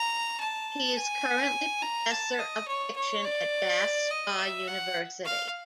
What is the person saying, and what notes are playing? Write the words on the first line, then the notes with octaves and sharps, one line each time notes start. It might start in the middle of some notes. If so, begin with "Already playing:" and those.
He is currently Professor of Fiction at Bath Spa University.
Already playing: A#5
A5
G#5
A#5
A5
D#5
C#5
C#5
D5
D#5
E5
F#5
F5